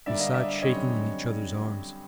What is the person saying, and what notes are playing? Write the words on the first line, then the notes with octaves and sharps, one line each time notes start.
We sat shaking in each other's arms.
G2 D3 G3 A#3 D5 E5
D#5 F5
D5 E5
F#2 D3 G3 C4 C#5 D#5